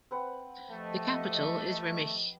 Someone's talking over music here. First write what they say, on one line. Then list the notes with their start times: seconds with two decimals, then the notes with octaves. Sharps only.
The capital is Remich.
0.11 C4 B4 F#5
0.69 F3 A3 G4 D#5